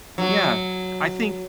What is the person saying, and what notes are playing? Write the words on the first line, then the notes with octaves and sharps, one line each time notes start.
Yeah. I think
F#3